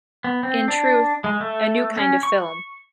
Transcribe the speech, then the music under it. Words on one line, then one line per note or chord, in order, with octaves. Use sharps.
In truth, a new kind of film.
B3
C4
D4
G#3
A3
C#4
C#6